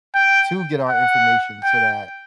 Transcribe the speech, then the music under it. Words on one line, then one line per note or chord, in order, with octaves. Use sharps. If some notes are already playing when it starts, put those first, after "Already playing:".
to get our information, so, that
G5
F#5
G5